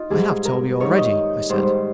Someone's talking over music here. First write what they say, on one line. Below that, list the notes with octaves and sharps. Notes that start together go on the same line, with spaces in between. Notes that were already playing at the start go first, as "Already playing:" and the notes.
"I have told you already," I said.
Already playing: D#4 F4
G#2 G3 G#4
A#4
G#2 D#3 G3 C#5
D#5
G#2 D#3 G3 C5